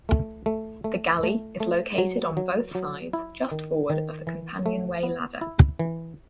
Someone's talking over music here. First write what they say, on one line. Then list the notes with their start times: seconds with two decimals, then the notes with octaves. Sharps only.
The galley is located on both sides just forward of the companionway ladder.
0.09 A3
0.46 A3
0.84 A3
1.23 A3
1.60 A3
1.98 F#3
2.37 F#3
2.75 F#3
3.13 E4
3.52 D#3
3.90 D#3
4.27 E3
4.66 A3
5.03 B3
5.41 E4
5.79 E3